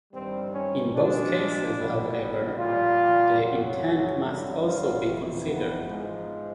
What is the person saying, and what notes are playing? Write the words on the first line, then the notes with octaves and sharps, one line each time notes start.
In both cases, however, the intent must also be considered.
G2 D#3 G3 C4
C#4
A#2 F3 G#3 D4
B2 G3
A#2 G3 F4
F#2 C#3 F#3
G2 D3 F#3
F4
F2 C3 E3
B3
G#2 F3 G#3